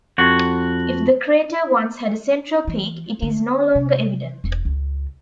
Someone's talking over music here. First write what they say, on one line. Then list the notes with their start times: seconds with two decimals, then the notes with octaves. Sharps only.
If the crater once had a central peak, it is no longer evident.
0.18 F2 F#4
2.67 E3
3.22 D3
3.75 C3
4.44 E1
4.65 C#2